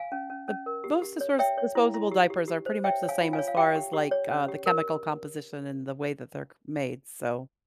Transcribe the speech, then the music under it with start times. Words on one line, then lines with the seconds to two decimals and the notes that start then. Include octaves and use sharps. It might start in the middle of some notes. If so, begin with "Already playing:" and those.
The most disperse disposable diapers are pretty much the same as far as, like, uh, the chemical composition and the way that they're c made, so
Already playing: F5 G#5
0.12 C#4
0.30 C#4
0.48 C#4
0.66 A#4
0.84 G4
1.02 G4
1.21 C#5
1.39 C#5 E5 G5
1.57 C#5
1.75 E4
1.94 E4
2.12 G4
2.30 G4
2.48 G4
2.66 C5
2.84 C#5 E5 G5
3.03 C#5
3.09 F5 G#5
3.21 F4
3.33 F5 G#5
3.39 C#5
3.48 F5
3.57 G4 E5 G5
3.76 G4
3.93 G4
4.11 C#5
4.30 C#4
4.49 G4
4.66 A#4